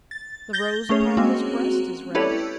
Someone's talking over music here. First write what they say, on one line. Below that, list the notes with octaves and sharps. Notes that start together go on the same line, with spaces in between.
The rose upon his breast is red.
A6
G6 A6 A#6 G7
A3 C#4 G#4 C#5
G#3 A#3 C4 C#4 F#4
E4 G4 A4 B4 C#5 D5